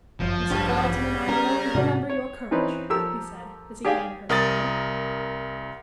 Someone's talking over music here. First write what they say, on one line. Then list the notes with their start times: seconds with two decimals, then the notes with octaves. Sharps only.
"Mrs. Carleton and I will always remember your courage," he said, as he handed her the letter.
0.20 G1 F#2 F3
0.51 A1 G2 C#3 G3 D4 G5 C#6
0.69 B4 F#5
1.29 C#4 A#4
1.75 G#2 C3 D4 F#4 D5
2.09 C#5
2.51 E3 C4 C#4 D#4 B4
2.90 F3 G4 A4 A#4 E6
3.85 G4 G#4 D5 F5 G5 G#5
4.29 C2 A#4 D#6 A6